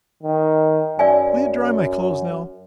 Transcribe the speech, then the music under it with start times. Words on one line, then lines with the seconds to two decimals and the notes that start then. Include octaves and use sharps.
Will you dry my clothes now?
0.23 D#3
0.99 F#2 D5 E5 G#5